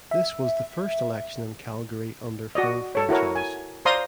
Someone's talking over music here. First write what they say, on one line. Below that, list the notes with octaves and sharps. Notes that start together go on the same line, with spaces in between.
This was the first election in Calgary under full franchise.
E5
F#4 D5 D#5
A4 C#5
E4 F#4 A#4 C#5
G#5
C5 D5 F5 A#5 C6 D#6